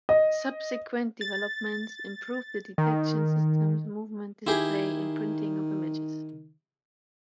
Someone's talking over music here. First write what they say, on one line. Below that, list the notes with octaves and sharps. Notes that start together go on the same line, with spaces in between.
Subsequent developments improved the detection systems, movement, display and printing of images.
D#5
A6
D#3
D#3 E4 G4 G#4